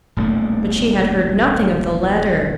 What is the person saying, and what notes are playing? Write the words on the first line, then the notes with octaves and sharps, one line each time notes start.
But she had heard nothing of the letter.
D#1 B1 A3 A#3